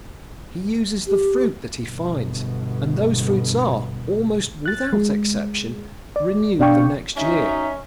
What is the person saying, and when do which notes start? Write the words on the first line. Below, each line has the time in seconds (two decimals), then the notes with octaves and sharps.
He uses the fruits that he finds, and those fruits are, almost without exception, renewed the next year.
1.07 G4
1.81 G1 B2
4.66 F#6 A6
4.93 G#3
6.16 D5
6.59 B2 D4 D5 F5 G5 C#6
7.17 F#2 F#3 C#4 D#4 E5